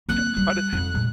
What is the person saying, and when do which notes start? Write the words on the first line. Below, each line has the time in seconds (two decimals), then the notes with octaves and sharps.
How did
0.09 A#3 C4 F#6
0.37 G3
0.73 F2
0.94 A#2 G#3